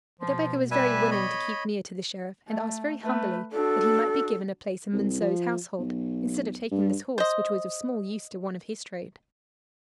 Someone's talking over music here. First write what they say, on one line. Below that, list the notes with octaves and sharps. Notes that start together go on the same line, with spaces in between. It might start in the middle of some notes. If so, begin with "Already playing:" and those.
But the beggar was very willing to keep near to the Sheriff, and asked very humbly that he might be given a place in Monceux's household, instead of taking this horse, which was of small use to one of his trade.
B2 F3
G3 B4 E5 G#5
C#5 D#5 B5
A3
A3 B4
D4 F#4 A4
C2
F3
B1
G2
C5 D#5